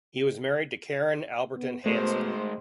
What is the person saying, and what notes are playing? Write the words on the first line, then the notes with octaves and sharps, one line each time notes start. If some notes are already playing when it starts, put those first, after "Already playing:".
He was married to Karen Albertine Hansen.
B3
B2 D#3 G#3 A3 C5